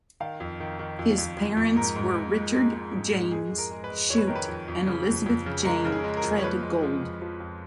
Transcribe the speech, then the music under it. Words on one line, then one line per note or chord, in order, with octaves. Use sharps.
His parents were Richard James Shute and Elizabeth Jane Treadgold.
D#3 F5
F2
D#3
D#3
F2
F2
F2
F2
G#2 A#4
G#2
G#2
G#3
G#3
G#3
G#2
G#2
G#3 G#4
F2
A#4
G#3
B4
G#3
F2 C#5
B4
D#3 A#4
B4
F2
F2
C#3
F2
F2
C#3
G#3 A#4
C#3
G#4
G#3
A#4
F2
C#5
F3 B4
G#3
F3
F2
F3
F2